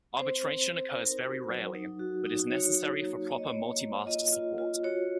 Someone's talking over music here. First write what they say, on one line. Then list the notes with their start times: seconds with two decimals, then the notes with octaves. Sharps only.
Arbitration occurs very rarely, but is necessary for proper multi-master support.
0.19 C4 C5
0.44 C4
0.70 C4
0.96 D#4 A#4
1.23 F#4
1.48 F#3
1.75 D#4
1.99 F#4
2.26 D#4
2.51 F#4 C#5
2.77 F#4
3.03 A#3
3.28 A#3 C#5
3.38 D#5
3.47 C#5
3.55 A#3
3.81 A#3
4.06 F4 D#5
4.32 F4
4.58 F4
4.84 F#4 C#5